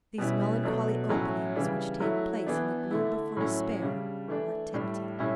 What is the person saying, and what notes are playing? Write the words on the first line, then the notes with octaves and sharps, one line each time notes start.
These melancholy openings which take place in the gloom before despair, are tempting.
B2 G3 C#4 E4
B2 F#3 A3 D4
A2 F#3 C#4 E4
C#3 E3 G3 D4
F#3 A3 E4
E3 B3 D4
D3 A3 E4
A2 F#3 C#4 E4
C#3 G3 D4
E3 A3 D4
A2 G3 D4
A2 G3 C#4 E4